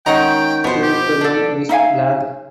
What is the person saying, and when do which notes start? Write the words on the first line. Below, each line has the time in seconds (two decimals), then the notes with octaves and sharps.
Scutellum is black.
0.06 D#3 G#3 C#4 D#4 F#5 G5 A#5
0.64 F2 B2 B3 C5
0.82 G4
1.21 D4 A4
1.69 D#4 E5 F5 G#5